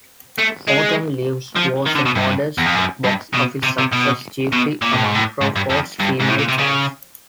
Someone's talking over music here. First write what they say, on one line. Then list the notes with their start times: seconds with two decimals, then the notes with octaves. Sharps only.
"Autumn Leaves" was a modest box-office success, chiefly among Crawford's female fans.
0.38 A3
0.67 G#3
1.56 F3
1.86 D#3
1.95 D3
2.06 B2
2.15 G2
2.58 E2
2.66 F2
2.75 F#2
3.04 G2
3.34 B2
3.63 C3
3.78 C3
3.93 B2
4.52 B2
4.82 A#2
4.92 A2
5.04 G#2
5.15 A2
5.41 G#2
5.56 G2
5.70 F2
6.00 G2
6.20 G#2
6.29 A2
6.39 A#2
6.49 C3
6.59 C#3